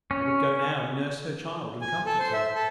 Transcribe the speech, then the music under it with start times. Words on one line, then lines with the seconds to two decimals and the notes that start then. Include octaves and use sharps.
I would go now and nurse her child, and comfort her.
0.11 C#4
1.81 G#5
2.06 A4
2.19 C5
2.33 E5
2.55 A4